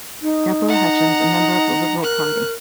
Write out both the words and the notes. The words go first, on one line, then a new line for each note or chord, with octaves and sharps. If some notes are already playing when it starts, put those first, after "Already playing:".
Deborah Hutchens, a member of the Liberal Party.
D#4
F#5 A#5
A#4 F#6